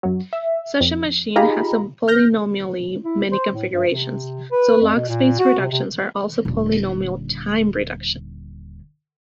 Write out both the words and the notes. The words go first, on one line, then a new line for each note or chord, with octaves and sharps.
Such a machine has polynomially-many configurations, so log-space reductions are also polynomial-time reductions.
F#2 F#3
E5
F2
D#4 F4 G4 G#4 A#5 B5
F6 G6 A#6
E4
C5
A2
G2
C3
B4
F2
B2
A#2
F#4
C3
C3
D#1 D3